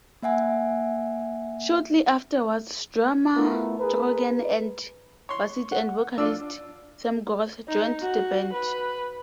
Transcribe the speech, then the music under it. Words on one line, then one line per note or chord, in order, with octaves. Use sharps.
Shortly afterwards drummer Draugen and bassist and vocalist Themgoroth joined the band.
A#3 E5 F#5 G#5
A3 B3 E4 F4 A#4
G#4 A#4 B4
C#5 C6
F#5
D4 F4 D5 E6
D#4
F#4
B4